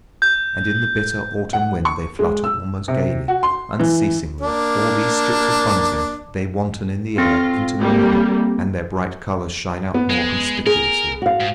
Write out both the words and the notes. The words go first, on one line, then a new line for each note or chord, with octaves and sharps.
And in the bitter autumn wind they flutter almost gaily, unceasingly, all these strips of bunting, they wanton in the air, intermingle, and their bright colours shine out more conspicuously.
G6
F#5
C#6
G#3
E6
C3
F#4
C6
E3
A#3 D4
C4 F4 A4 A#6
G3 A#3
B3
G#3
G#4 A#4
F#4 F5
G#2